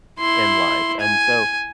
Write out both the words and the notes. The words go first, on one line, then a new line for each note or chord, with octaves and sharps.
in life, and so
E4 C6
G#5